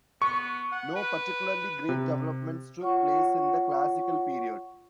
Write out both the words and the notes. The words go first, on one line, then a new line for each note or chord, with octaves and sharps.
No particularly great developments took place in the Classical Period.
B3 C#6
F#5
B4
C3
F4 C#5 F#5 C#6